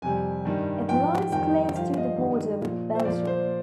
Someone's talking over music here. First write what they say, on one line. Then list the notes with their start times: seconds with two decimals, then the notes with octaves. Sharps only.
It lies close to the border with Belgium.
0.02 F2 C3 G3 G#5
0.45 G2 D#3 G3
0.89 G#2 F3 G5
1.32 F2 D#3 G3 G5
1.75 G2 D3 F3 F5
1.97 D#5
2.18 G2 D#3 G3
2.62 A#2 F3
2.95 C5
3.05 A#2 F3 D5
3.27 C5